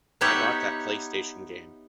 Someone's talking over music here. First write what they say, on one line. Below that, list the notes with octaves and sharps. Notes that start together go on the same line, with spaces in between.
I bought that PlayStation game.
B3 D#4 G4 C#5 E5 F#5